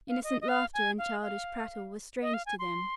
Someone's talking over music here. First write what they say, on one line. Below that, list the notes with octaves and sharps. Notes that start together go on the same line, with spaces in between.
Innocent laughter and childish prattle were strange to them.
F5
D#5
D#5
F5
G#5
F5
F5
D#5
F5
G#5
C6